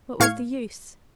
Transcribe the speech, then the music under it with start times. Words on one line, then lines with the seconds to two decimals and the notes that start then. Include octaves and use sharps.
What was the use?
0.20 A2 F5 C#6 F6 G#6 C#7